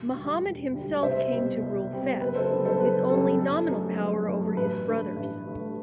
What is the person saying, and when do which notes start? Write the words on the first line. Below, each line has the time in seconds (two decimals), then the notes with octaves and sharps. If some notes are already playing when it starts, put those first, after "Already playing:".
Muhammad himself came to rule Fes, with only nominal power over his brothers.
Already playing: E1
0.14 D2 D3 G3
0.44 E1
0.73 D2 D3 G3
1.03 C2 C5 E5
1.32 B2 G3 C4
1.62 C2
1.92 B2 G3 C4
2.21 F#1 B4
2.35 A4 C5
2.51 F#2 D3 G3 B3
2.65 A4 C5
2.80 F#1 B4
3.10 F#2 D3 G3 B3 A4
3.39 G1 A4
3.69 F#2 F#3 A3
3.98 G1
4.28 F#2 F#3 A3
4.57 A1 B4
4.87 G2 D3 A3
5.16 A1
5.46 G2 D3 A3